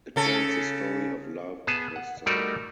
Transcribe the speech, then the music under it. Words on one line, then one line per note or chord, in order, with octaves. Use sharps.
It tells the story of love at first sight.
C#3 A4
B3 G#4 A5
F#5
G3 A3 D#4 F#4 A#4 D5